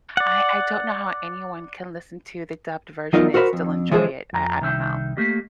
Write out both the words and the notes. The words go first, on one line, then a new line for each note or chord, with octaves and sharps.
I I don't know how anyone can listen to the dubbed version and still enjoy it. I I don't know.
D5 F#5
E2 F#3 D#4 F4 A#4 D#5
F#4 A#4 C5 D#5 B5
F2
E3 F3 G#3 G#4 C5
F2 A#5
C2 D#3 E5 G5
A3 A#3 G4 D#5